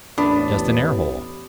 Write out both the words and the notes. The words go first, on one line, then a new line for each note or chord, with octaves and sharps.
Just an air-hole.
A1 E2 A2 B3 D4